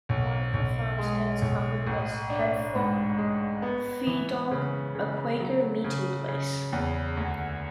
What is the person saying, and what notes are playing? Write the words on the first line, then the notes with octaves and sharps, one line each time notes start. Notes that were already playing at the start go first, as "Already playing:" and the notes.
One of the farmsteads covered was Hafod Fadog, a Quaker meeting place.
B1
B1
G#3
B1
A1
D4
G#2
G#3
B3
E3
C#3
C#3
F#3
C#3
C#3
E2
D2